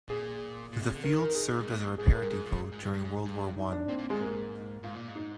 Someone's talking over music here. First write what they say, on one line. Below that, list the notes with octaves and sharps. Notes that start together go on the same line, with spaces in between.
The field served as a repair depot during World War One.
A#2 G#4
A#2
C3
D3
D#3 A#4
A#4
G#4
G#2
A#2
G#2
G#2 G#4
A#4
G2
G#2 G#4
A#2
G#2
G2
G2
G#2
G2
D#4
D4
A#2 C4
A#2
A#2 G#3
G#2 A#3
G#2 F4
A#2
G#2
D#4